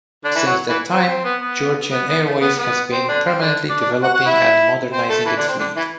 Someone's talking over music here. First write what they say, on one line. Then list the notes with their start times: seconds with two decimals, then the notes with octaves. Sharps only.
Since that time, Georgian Airways has been permanently developing and modernizing its fleet.
0.24 D3 D4
0.35 E3 E4
0.46 F#3 F#4
0.69 E3 E4
0.91 C4
1.08 C4
1.24 B3
1.41 B3
1.91 B3
2.08 B3
2.25 A3
2.41 B3
2.59 B3
2.92 C4
3.08 D3 D4
3.25 C4
3.41 D3 D4
3.70 D4 D5
3.81 D4 D5
4.03 F#4 F#5
4.14 F#4 F#5
4.26 E4 E5
4.92 C4 C5
5.09 A3 A4
5.26 E3 E4
5.37 D3 D4
5.48 C4
5.59 D3 D4
5.76 E3 E4